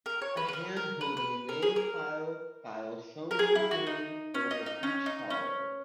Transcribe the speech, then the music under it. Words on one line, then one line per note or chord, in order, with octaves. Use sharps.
A hand holding a nail file files someone 's nail over a peach towel.
A#4
C#5
B4
B4
A#4
A#4
B4
B4
A#4
G#4
A#4
A#4
G#4
E4
F#4
D#4
C#4
D#4
D#4
C#4
D#4
C#4